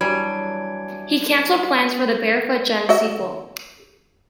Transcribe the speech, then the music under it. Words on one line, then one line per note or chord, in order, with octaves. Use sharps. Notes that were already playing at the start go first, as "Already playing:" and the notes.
He cancelled plans for a "Barefoot Gen" sequel.
E3 F#3 G3 D4 G#6 D7
F#4 D#5 E5